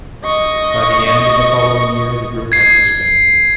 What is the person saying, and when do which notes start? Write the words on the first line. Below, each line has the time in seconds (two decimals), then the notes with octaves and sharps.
By the end of the following year the group had disbanded.
0.25 D#5 C#6
2.52 G#6 C7